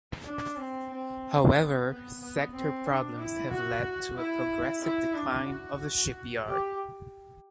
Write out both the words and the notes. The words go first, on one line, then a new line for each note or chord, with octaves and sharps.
However, sector problems have led to a progressive decline of the shipyard.
D4
C4
C4
B3
B3
B3
C4
D4
E4
F#4
E4
E4
D4
F#4
G4